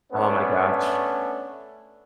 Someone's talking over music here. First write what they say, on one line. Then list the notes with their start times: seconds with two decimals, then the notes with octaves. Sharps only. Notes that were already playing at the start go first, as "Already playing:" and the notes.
Oh, my gosh.
0.12 A3 B3 C#4 D4